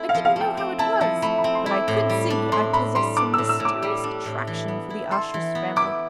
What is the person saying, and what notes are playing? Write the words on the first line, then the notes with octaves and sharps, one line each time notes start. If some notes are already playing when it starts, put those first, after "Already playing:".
I didn't know how it was, but I could see I possessed some mysterious attraction for the Ashurst family.
Already playing: A3 C4 E4
F5
F3
F5
A3
G5
C4
E4 A5
F3 A5
A3 B5
B5
C4
C6
E4 D6
A2
G3
D4
A2 C6
A2 B5
G3 C6
D4 D6
E6
A2
E6
A2
D6
G3
D4
A2
E3
B3
E4
A4 C6
E3
B3
E4 D6